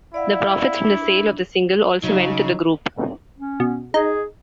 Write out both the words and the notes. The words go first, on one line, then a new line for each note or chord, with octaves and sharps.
The profits from the sale of the single also went to the group.
E4 D5 F5 F#5
D4
C#3 F#3 D#4
C#4
B2
D#4 G#4